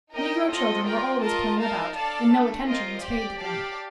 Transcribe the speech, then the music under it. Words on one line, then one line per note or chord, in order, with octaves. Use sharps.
Negro children were always playing about, and no attention was paid to them.
D#4 A#4 D#5 G5
C4 F4 A4 D#5
F4 A#4 D5 G5
F4 A#4 D#5 A5
D#4 A#4 F5 A5
D4 A4 D5 F5 A5
A3 D4 A4
C4 F4 A#4 D#5
G4 D5 G5
G4 D5 F5 A5